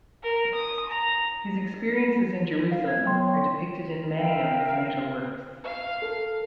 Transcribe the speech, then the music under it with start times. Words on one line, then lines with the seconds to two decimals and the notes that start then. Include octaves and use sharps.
His experiences in Jerusalem are depicted in many of his later works.
0.23 A#4
0.54 D#6
0.89 A#5
2.71 F5
2.87 G#6
3.05 F#3 B3 G5 C6
3.27 C#5 G5 C#6
4.17 A#4 E5 F5 G5
5.64 F5
6.02 A4 A#4 A5